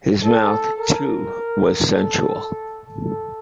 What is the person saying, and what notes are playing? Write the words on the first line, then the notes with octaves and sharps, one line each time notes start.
His mouth, too, was sensual.
A4
A#4
A4
A4